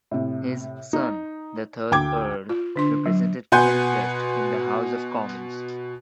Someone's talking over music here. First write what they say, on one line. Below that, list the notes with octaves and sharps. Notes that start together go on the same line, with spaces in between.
His son, the third Earl, represented Kent West in the House of Commons.
A2 C3
D#4
D2 G5 D6 G#6
F4
D3 D4 C6
F#3
B2 B4 F#5 G#5 C6 G6